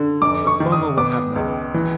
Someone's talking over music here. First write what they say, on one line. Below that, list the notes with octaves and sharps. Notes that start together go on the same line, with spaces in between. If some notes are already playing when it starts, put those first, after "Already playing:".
But Foma will have none of it.
Already playing: D3
F1 D6
C#6
D#3
D#6
B3 D6
C#2
E3